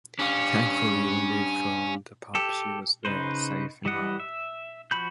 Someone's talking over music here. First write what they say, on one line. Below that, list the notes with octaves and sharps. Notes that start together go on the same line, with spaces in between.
Thankfully when they phoned the pub she was there safe and well.
C#4 D4 G4 F5
G4 A4
C#3 D#4 B4 C5
E3 G3 D#5 F#5
E5
F3 F#4 B5 G6